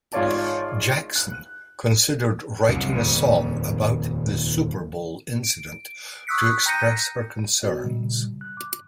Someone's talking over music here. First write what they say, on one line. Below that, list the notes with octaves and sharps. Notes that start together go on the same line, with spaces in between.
Jackson considered writing a song about the Super Bowl incident to express her concerns.
G#1 F4 C#5 D5 A5
F#6
C2 F#2 C3
D#1 F2 C#3
D7
C#6 D#6 E6 F#6 B6 C#7
G5 A#5 G6 A#6 C#7 D#7
B3 F#4 D#5
A#2 C#3 G3
F#6
D6